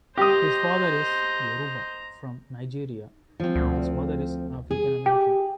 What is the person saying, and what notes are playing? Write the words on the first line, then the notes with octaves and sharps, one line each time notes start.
His father is Yoruba from Nigeria, and his mother is African-American.
G4 C5 D#5 A#5 D#6
F3 C4
D2
G#4
G4 G5